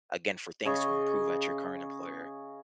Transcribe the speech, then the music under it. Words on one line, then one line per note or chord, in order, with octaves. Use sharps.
again, for things to improve at your current employer,
C#3 C#5 D#5 C#6